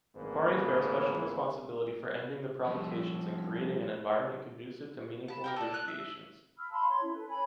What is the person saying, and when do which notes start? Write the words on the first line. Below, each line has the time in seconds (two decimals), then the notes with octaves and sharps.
The parties bear special responsibility for ending the provocations and creating an environment conducive to meaningful negotiations.
0.15 G#1 C#2 G#2 A3 A#3 B4
2.66 C2 F3
5.28 A5 B5
5.44 G4 A#4 G5
5.56 A4 D5
5.74 F#6
5.88 E5
6.57 B5 E6 F6
6.71 F5 A5 B5 C6
6.89 C#5 C6
7.02 C#4 E4
7.13 A4 B4
7.28 C#5 G#5 B5